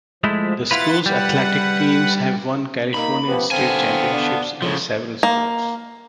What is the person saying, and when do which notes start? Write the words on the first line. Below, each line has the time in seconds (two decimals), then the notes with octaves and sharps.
The school's athletic teams have won California State Championships in several sports.
0.24 F3 G#3 A3 E4
0.71 E4 F4 B4 F#5 A6
1.06 G3 B4 F#5
2.94 A#3 D#4 B5
3.28 F3 B3 G4 B4
3.52 D3 B3 C4 F5 G#5 A5
4.14 D4
4.62 A2 C#3 F3
5.23 A#3